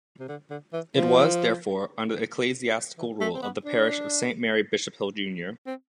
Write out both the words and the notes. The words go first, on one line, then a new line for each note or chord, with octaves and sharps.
It was, therefore, under the ecclesiastical rule of the Parish of Saint Mary-Bishophill Junior.
C3
D3
D3
E3
F3
E3
A3
C4
B3
D4
C4